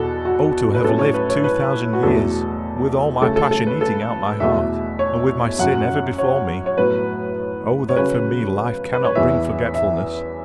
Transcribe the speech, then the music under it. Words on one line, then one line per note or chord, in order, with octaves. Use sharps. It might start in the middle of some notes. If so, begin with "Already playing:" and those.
Oh! to have lived two thousand years, with all my passion eating out my heart, and with my sin ever before me. Oh, that for me life cannot bring forgetfulness!
Already playing: E2 B2 F#4 A4
F#4
B4
A2 F#3 C#4 A4
C#5
B4
C#5
B4
F#4
E2 B2 A3 A4
C#3 A3 C#4 A4
A4
A4
B4
A4
E2 B2 A3 E5
C#5
F#2 F#3 C#4 F#5
C#5
C#5
A2 F#3 B3 B4
C#5
C#3 F#3 C#4 B4
B4
C#5
E2 E3 B3 E5
E5